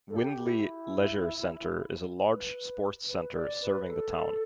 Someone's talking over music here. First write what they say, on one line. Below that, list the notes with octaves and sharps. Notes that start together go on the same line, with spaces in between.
Wyndley Leisure Centre is a large sports centre serving the town.
A4
G4
F#4
E4
B4
B4
D5
B4
A4